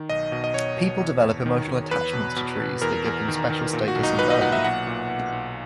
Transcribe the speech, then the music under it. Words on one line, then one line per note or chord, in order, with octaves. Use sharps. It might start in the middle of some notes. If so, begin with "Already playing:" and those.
People develop emotional attachments to trees that give them special status and value.
Already playing: D#3
B1 D#5
B2
D#5
B2 C#5
B2
E2
E2
D#3
D#3
E2 B4
B2
B2
B2
E2 A#4
E2
D#3
D#3
A#2
F#4
B1
D#4
A#2 B4
D#5
A#2 F#5
E5
B1 F#5
A#2
B1
B1